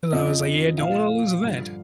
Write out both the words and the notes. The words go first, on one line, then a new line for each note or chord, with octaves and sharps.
And I was, like, "Yeah, don't wanna lose that."
F2 C#3 F3 D#5
A#2 F3 F5
G2 D3 F3